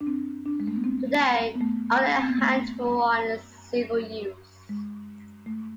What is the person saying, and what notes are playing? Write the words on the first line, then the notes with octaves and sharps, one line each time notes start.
Today only a handful are in civil use.
D4
C4
D4
G#3
A3
B3
C4
B3
A3
C4
B3
A3
G#3
A3